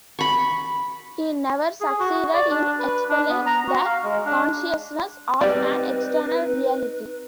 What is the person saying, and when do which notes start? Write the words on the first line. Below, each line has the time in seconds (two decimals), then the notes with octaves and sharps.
He never succeeded in expelling the consciousness of an external reality.
0.19 B5 C#6
1.81 G#4
2.00 F#4
2.34 D5
2.51 D4
2.79 B4
3.09 D4
3.29 B3
3.46 A#5
3.68 F#4
3.85 F5
4.04 G#3
4.26 D4
5.41 G3 C4 D#4 B4 D5